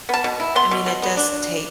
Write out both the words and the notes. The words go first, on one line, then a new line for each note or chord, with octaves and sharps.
I mean, it does take
B3 A5
B2
E4
B3 C6
B2
B2
B3
D4